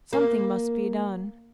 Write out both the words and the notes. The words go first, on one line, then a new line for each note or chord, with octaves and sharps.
Something must be done.
A#3